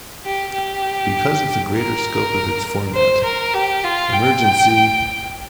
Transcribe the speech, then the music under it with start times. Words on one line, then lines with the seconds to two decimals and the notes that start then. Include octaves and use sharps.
Because of the greater scope of its format, Emergency!
0.25 G4
0.54 G4
1.74 A#4
2.94 C5
3.24 A#4
3.54 G4
3.84 F4
4.13 G5